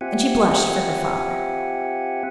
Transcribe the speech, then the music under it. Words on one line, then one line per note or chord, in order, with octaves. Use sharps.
And she blushed for her father.
C4 F4 G4 E5 F#5 G#5